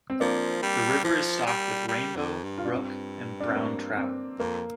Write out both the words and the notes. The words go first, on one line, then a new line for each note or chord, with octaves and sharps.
The river is stocked with Rainbow, Brook, and Brown trout.
C4
F3 A#3 D4
G3
F3
G3
G3
F2
G2
F4
D4
G2 C4
D4
C4
A#3
C4
F2 A#3